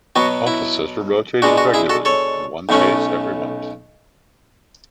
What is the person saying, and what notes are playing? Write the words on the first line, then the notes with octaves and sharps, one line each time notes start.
Officers were rotated regularly-in one case every month.
B2 F#3 B3 F#4
E4
B2 G#3 D4 F#4
F#4
E4 G#4
F#4 A4
A4 C#5
B1 B2 A3 C#4